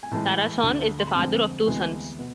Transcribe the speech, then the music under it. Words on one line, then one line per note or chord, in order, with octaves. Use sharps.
Sarasohn is the father of two sons.
G#5
A2 E3 G#3 A5
D2 D3 A3
C6
B5
F2 D3 G#3 C4 A5
D2 C3 E3 G#3 B3
B2 B3